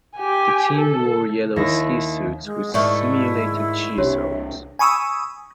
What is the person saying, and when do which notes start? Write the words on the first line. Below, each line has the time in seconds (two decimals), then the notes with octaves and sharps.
The team wore yellow ski suits with simulated cheese holes.
0.17 G4 G#5
0.77 A4
1.56 D#2 E4 A#6
2.44 G#3
2.74 G#2 D#3 A3 E4 D5 C#6
3.98 C2 C3 D4 G4 C#5
4.79 G#5 B5 C#6 D#6 E6